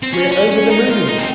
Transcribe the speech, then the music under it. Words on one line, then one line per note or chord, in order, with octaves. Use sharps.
We’re over the moon!
C4
C#4
C#4
C#4
D#4
F4
D#4
C4